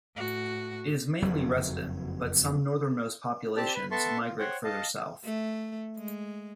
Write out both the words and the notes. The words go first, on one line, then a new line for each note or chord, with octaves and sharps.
It is mainly resident, but some northernmost populations migrate further south.
A2 F#4
F#1 F2 F#3
C4 G4 D5 A5
B4
B3 A4 E5 A5 C6 C#6
F4
C5 C#5 F#5 G5
D#5 F5 A5
A3
G#3